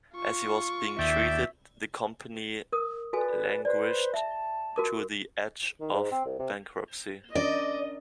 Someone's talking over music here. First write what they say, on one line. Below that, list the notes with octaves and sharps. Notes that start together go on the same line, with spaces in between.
As he was being treated, the company languished to the edge of bankruptcy.
F4 C#6
D#2 D5 E5 G5
A#4 D#6
F#4 A4 B4 D5 G#5
B4 C5 D5
E5 A5
F#4 A#4 D6
D#3
G#2
C4
C2
C3
C#4 D4 A#4 D5 D#5